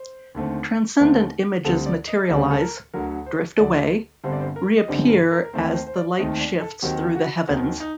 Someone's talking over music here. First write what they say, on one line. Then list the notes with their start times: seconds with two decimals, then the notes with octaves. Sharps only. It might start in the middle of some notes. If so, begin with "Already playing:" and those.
Transcendent images materialize, drift away, reappear as the light shifts through the heavens.
Already playing: C5
0.35 D#2 D3 A3 C4
1.00 D#2 D3 A3 C4
1.64 D2 D3 G3 C4 A4
1.86 D5
2.08 D#5
2.29 D2 D3 G3 C4 D5
2.51 A4
2.61 A#4
2.94 D2 D3 F#3 A#4
3.26 C5
3.59 D2 D3 F#3 D5
4.24 G1 G2 D3 G3 C4 C5
4.32 D5
4.41 C5
4.56 A#4
4.77 D#5
4.88 G1 G2 D3 G3 C4 D5
5.10 A#4
5.32 A#4
5.45 A#4
5.53 D#2 D#3 A3 C4 C5
5.75 C5
5.87 C5
5.96 D5
6.18 D#2 D#3 A3 C4 D#5
6.40 D5
6.61 A4
6.82 D#2 D#3 F#3 C4 G4
7.15 F#4
7.48 D#2 D#3 F#3 C4 D#4
7.80 D#4